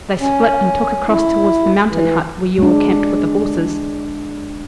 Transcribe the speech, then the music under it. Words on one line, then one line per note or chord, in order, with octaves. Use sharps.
They split and took across towards the Mountain Hut, where you all camped with the horses.
C#4
E4
E3
G#3 D4